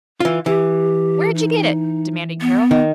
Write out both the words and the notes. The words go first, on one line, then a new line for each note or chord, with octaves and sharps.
"Where'd you get it?" demanded Carroll.
E3 F4
E3 G4
D#4
B3
D#3